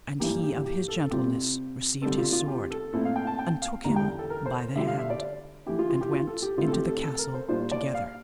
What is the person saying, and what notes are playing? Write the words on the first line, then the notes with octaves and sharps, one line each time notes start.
And he of his gentleness received his sword, and took him by the hand, and went into the castle together.
G2 E3 A#3 G4
G4
G4
A4
C3 G3 C4 F4 G4
D3 G3 C4 A4
F4
F4
G4
A4
A#2 A3 C4 E4 A4
F5
G5
A5
G5
F5
E2 D3 G3 A#5
G5
A4
A#4
C5
D3 G3 D4 F4 E5
F5
E5
D5
E3 A3 E4 G4
F4
F4
G4
F4
A4
G4
D3 A3 C4 E4 F4
A4
G4
A4
A4
A#4
C5
A#2 G3 D4 F4 C5
D5
F5